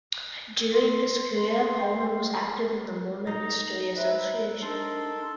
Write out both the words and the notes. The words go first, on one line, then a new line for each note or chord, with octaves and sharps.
During his career Palmer was active in the Mormon History Association.
C6
C#4 B4 B5
G4 C5 E5
D#4 A#5
B4 C5 E5 A#5
D4 D#4 A4 A#4 C6